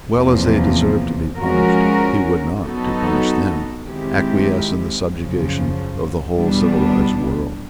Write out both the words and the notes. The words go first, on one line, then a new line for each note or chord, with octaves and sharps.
Well as they deserved to be punished, he would not, to punish them, acquiesce in the subjugation of the whole civilised world.
E2 C3 F3 A#3
F3 G#3 C#4 F#4 A#4
F#3 B3 D#4 F#4 A4
D#3 G#3 C4 E4 G4
F#2 C#3 F3
E2 B2 G3 B3 D4